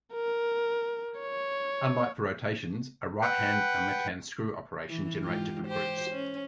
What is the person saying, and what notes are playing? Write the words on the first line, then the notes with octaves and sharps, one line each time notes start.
Unlike for rotations, a righthand and lefthand screw operation generate different groups.
A#4
C#5
B4 F#5 G5
E3
G#2 F4 G4
G4 C5
C#4